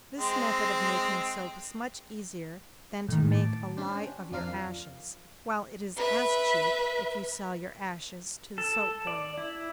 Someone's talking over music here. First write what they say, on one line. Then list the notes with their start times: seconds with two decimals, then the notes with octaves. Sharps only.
This method of making soap is much easier than to make a lye of your ashes, while it is as cheap, if you sell your ashes to the soap-boiler.
0.18 G#3 C4
3.09 A2 D#3
3.31 A5 D6
3.77 C#4 D4 G4 C5
4.32 F2 F3 D4 F4 A#4 F5
5.96 B4 E5
8.58 A4
9.07 D5
9.38 E4